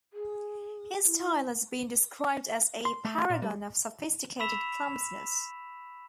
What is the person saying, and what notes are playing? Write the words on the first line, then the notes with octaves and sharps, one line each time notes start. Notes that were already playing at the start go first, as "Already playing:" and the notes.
His style has been described as "a paragon of sophisticated clumsiness".
G#4
E4
C6
A3
A#2
G3
B5 C#6 E6 B6 E7 F7